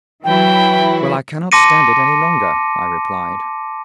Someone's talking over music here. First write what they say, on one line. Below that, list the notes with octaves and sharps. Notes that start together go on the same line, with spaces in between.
"Well, I cannot stand it any longer," I replied.
E3 F#3 E4 G5
A5 C6 D6 A#6 C#7 D#7